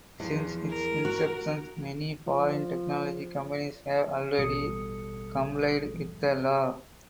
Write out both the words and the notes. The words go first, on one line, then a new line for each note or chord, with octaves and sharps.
Since its inception many foreign technology companies have already complied with the law.
E2 F3
A#4
F#4
F3
A1 B2 G3 A4 D#6 C#7